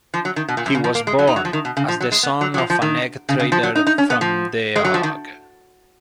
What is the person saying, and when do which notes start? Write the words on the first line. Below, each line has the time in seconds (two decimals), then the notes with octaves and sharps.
He was born as the son of an egg trader from The Hague.
0.14 F3
0.25 F#3
0.36 D#3
0.48 B2
0.57 A#2
0.66 F#2
0.75 C#3
0.84 F3
0.95 A#3
1.07 G#3
1.19 F#3
1.27 D#4
1.36 F#3
1.45 F3
1.53 D#3
1.65 B2
1.77 C#3
1.88 F3
2.01 F#3
2.12 G#3
2.23 B3
2.41 F#3
2.54 F#3
2.58 F3
2.70 F3
2.82 D#3
3.29 C#3
3.40 C#3
3.52 F3
3.63 F#3
3.75 D#4
3.87 D#4
3.98 C#4
4.10 B3
4.21 F3
4.76 G#3
4.85 F#3
4.94 F3
5.03 D#3